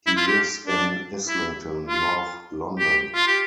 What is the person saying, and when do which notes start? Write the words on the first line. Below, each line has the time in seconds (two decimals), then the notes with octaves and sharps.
He lives in Islington, North London.
0.07 E4
0.17 F4
0.27 G4
0.67 D4
1.28 E4
1.88 F4
2.79 G4
3.15 F4
3.27 G4